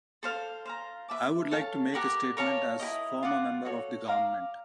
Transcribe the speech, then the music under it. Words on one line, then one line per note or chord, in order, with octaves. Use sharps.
I would like to make a statement as former member of the Government.
A4 C5 F5
C5 F5 A#5
B4 E5 A5 D6
A4 C#5 F5 A5
G4 A#4 D5 F#5
A#4 C#5 F5 A5
E4 G4 A#4 D#5
F4 A#4 D5 F#5
F#4 A4 C#5
D5 F5 A#5